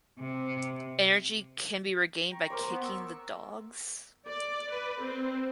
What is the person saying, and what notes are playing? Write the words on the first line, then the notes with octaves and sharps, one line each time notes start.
Energy can be regained by kicking the dogs.
C3
G5 A#5 C#6
A#4 C5 D5
B3
C#6 E6
D5
B4
C4